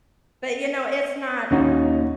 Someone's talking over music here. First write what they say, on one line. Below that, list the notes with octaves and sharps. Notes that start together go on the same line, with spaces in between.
but, you know, it's not
D#2 C#4 D#4 F#4